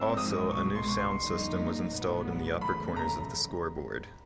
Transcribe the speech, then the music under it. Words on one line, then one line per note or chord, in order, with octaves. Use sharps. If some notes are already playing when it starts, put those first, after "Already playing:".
Also, a new sound system was installed in the upper corners of the scoreboard.
Already playing: G#2 F3 G#3 C4 D#4 E6
D#6
C2 B2 G#3 C#6
C6
C#6
C6
F2 D3 G3 A#3 D#4
A#1 A2 F#3 B3
F#2 C#3 E3 A3 B5
A#5